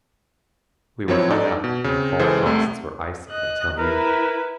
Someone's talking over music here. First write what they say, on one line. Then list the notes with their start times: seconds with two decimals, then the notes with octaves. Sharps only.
We were high up and the fall frosts were icy, I tell you!
1.08 F3 F#3 C4 E4 C#5
1.30 D4 D#4 A4 D5
1.64 B2
1.84 C#3 C4
2.19 C#2 E3 G#4 A4 C5
2.46 C2 C3 A3
3.29 D#5 F#6
3.78 E4 A#4 B4